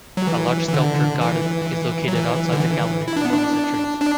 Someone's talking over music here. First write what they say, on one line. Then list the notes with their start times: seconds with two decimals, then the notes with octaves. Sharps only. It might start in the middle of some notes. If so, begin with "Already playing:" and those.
A large sculpture garden is located outside the gallery amongs the trees.
0.17 F#3
0.27 E3
0.68 E3
0.74 D3
1.21 E3
2.08 F#3
2.15 E3
2.52 D3
2.61 E3
3.08 E4
3.16 D4
3.25 B3
3.33 D4
4.01 D4